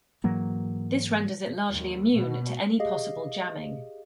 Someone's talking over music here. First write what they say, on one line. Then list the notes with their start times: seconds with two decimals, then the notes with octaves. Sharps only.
This renders it largely immune to any possible jamming.
0.24 G#2 E3 F#3 A#3
1.70 D#2
2.12 B2
2.80 G4 G#4 D#5 F5